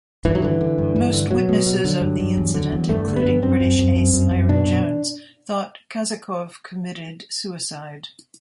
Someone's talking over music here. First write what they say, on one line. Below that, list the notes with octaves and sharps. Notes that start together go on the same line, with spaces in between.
Most witnesses of the incident, including British ace Ira Jones, thought Kazakov committed suicide.
G2 E3
F#3
D3 E3
D3
G2
G2
D3
B2 F#3
B2
B2
D3
G2
G2
E2
D3
E2
G2 A3
D3
B3
G2
F#2 C4
F#2
F#2
F#2
F#2
F#2
B2 D4
B2